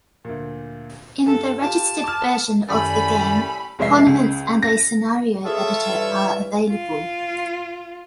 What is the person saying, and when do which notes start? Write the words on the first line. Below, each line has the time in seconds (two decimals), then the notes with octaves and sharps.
In the registered version of the game tournaments and a scenario editor are available.
0.25 D2 A#2
1.26 G2 A4
1.61 F4 G4 A5
2.04 D6 F6
2.69 F#2 A2 D#3 G3 A3 D5 G#5 B5
3.79 F1 G#3 C#5 D#5 E5 C7
4.06 C#2 C#3
4.63 A#6
5.45 B2 F#3 F4 G#4 A4 C#5 E5
5.86 G2 E3 G3
6.70 F4